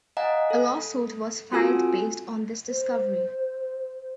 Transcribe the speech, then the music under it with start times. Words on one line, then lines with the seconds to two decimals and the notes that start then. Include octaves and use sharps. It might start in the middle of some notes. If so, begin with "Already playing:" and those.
A lawsuit was filed based on this discovery.
0.17 D#5 F5 F#5 G#5 A#5
0.50 A4
1.52 C4 F4 F#4 A4 G#5 E6
2.68 C5